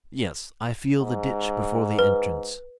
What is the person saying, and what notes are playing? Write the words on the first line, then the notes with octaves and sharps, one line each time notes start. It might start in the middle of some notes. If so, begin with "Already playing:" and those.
'Yes, I feel the ditch before the entrance.
G#2
B4